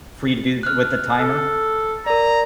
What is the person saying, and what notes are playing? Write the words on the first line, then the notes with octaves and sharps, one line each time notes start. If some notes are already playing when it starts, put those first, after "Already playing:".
for you to do th with the timer.
F6 F#6
A4
A#4 D5 A#5